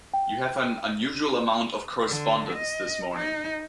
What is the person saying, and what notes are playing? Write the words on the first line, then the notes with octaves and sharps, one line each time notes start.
You have an unusual amount of correspondence this morning.
G5
D3
D#5
D#4